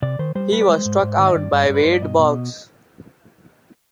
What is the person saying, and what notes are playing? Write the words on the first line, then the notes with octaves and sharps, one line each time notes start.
He was struck out by Wade Boggs.
C3 D5
D#3 C5
G3 C5
G3 B4
D5
G#3 C5
G#2
G#2
D#3
D#5
G2 D5
G2
G2
B4
G2 C5
D5
B2 D#5
B2